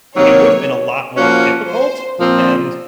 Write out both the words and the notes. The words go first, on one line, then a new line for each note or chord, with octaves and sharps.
it would've been a lot more difficult, and
C3 D#3 F#3 A#3 C#5
F3 A#3 C#4 F#4
C5
A#2 F3 C4